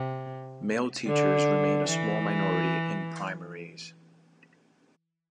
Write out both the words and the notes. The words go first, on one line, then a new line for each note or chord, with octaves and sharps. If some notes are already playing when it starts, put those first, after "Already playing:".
Male teachers remain a small minority in primaries.
Already playing: C3
D3
E3